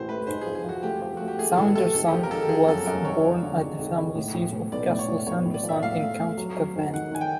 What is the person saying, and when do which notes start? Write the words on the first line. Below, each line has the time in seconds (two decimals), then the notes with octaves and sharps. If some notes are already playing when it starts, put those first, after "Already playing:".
Saunderson was born at the family seat of Castle Saunderson in County Cavan.
Already playing: A1 C5
0.09 A3 B4
0.27 G#2 C5
0.41 G#4
0.46 F3
0.55 G#4
0.64 F3 F#4
0.83 A3 G4
1.02 F3
1.17 A3 F#4
1.28 G4
1.38 A3 G#4
1.57 A1 A4
1.75 A3 A4
1.94 G#1 A4
2.12 F3 G4
2.23 A#4
2.31 G#1 A4
2.42 G4
2.49 F3 G#4
2.68 F#2 A4
2.86 F#2 A#4
3.05 G#1 C#5
3.24 F3
3.43 D3
3.61 G#1
3.78 G#1
3.97 G#1
4.15 A2
4.34 A2
4.52 A2
4.72 B1 D5
4.89 A2
4.99 C#5
5.08 A2
5.27 B1 C#5
5.45 A2
5.54 D5
5.63 F3
5.69 E5
5.82 A2 F5
6.02 A3
6.19 A3
6.37 F#3
6.56 F#3
6.76 G#2
6.93 D#3 F#5
7.12 D#3 G#5
7.21 G5